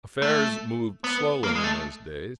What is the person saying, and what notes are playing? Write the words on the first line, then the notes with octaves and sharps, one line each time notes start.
Affairs moved slowly in those days.
A3
B3
A#3
G#3
A3